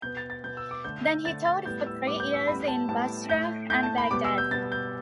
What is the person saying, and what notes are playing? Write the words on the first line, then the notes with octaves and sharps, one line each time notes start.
Then he taught for three years in Basrah and Baghdad.
B2 B3 G6
A6
A6
B2 B3 G6
E6
D6
D3 A3 G6
G6
D3 A3 A6
A6
A2 G3 B3 G6
E6
A2 G3 B3 D6
G6
E6
A2 G3 B3 B5
A5
A2 G3 B3 A5
A2 A3 G6
A2 A3 G6
A5
B5
B2 G3 B3 D6
E6
G6
B2 G3 B3 A6
G6